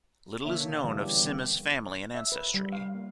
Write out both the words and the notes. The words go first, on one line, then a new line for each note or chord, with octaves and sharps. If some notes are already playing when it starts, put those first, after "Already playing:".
Little is known of Sima's family and ancestry.
B2 D3 A#3 D4 C#5 E5
C#3 E3 G3
G4
C3 D#3 G3 B3
E5
B4
G3
F5
A#3